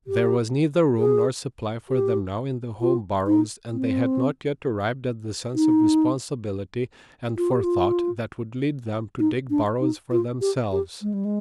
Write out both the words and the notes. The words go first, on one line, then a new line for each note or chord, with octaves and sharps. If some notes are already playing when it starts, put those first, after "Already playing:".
There was neither room nor supply for them now in the home burrows, and they had not yet arrived at the sense of responsibility and forethought that would lead them to dig burrows for themselves.
G4
G#4
G4
F4
D#4
C4
D#4
F4
G4
F4
D#4
D4
D#4
F4
G4
G4
G#3
G3
G#3